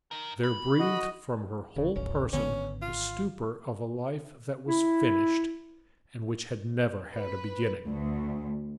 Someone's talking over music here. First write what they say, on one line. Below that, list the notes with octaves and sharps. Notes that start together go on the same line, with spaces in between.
There breathed from her whole person the stupor of a life that was finished, and which had never had a beginning.
D#4 A#4
B5
F#4 D#5
D#1 C#3
D#1 A1 C#4
G#1 D3 B3 C#4
F4
E4
B4
D2